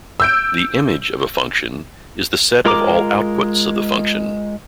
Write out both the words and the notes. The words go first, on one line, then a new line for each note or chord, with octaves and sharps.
The image of a function is the set of all outputs of the function.
E6 G6 D7
G#3 F4 A#4 A#5 D6